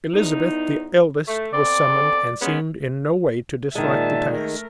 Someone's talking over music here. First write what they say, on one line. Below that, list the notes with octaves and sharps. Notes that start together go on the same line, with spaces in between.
Elizabeth, the eldest, was summoned, and seemed in no way to dislike the task.
E2 D#4
A3
B2 C4 A4 D5
G#3 B3 C#4
A#2 D#3 G#3 E5 A5
A3 A#4